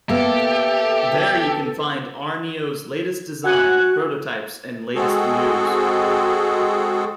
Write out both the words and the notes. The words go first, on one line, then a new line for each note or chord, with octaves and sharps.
There you can find Aarnio's latest design, prototypes and latest news.
A#3 B3 G4 A4 E5
F#4 F#5 G#5 F#6
G#3 C4 F#4 G#4 A4